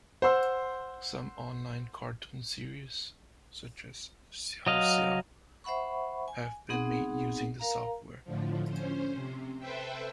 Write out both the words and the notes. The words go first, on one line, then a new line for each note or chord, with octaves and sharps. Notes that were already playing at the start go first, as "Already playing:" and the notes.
Some online cartoon series, such as "Xiao Xiao", have been made using the software.
C5 F#5 C6 E6
F#3 D#5 F5
C5 E5 F#5 B5 C#6
G#5
B3 C4 D#4 G#4 F#5
A#4 F5 A#5
A2 D3 F3
C#4 C5
C3
A4 B4 C5 E5 G5